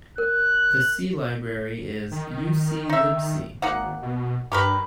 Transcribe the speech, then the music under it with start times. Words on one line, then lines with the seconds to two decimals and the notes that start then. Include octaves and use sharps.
The C-library is uClibc.
0.18 A#4 F#6
2.11 D#3
2.90 D#4 E5
3.62 G#1 A#3 D#4 F#5
4.02 B2
4.52 G2 G4 A#4 B4